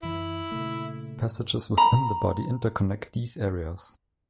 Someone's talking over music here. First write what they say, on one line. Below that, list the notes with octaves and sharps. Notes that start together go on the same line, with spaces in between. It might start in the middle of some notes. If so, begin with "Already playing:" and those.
Passages within the body interconnect these areas.
F#2 E3 E4
A#2 C#3 A3
A#5 B5